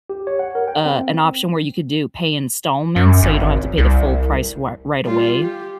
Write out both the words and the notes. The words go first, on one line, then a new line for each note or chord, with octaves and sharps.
uh, an option where you could do pay installments, so, you don't have to pay the full price r right away
G4
C#5
F#5
A#4
G5
C4
F#2
G#1
C2
G3 F4
G4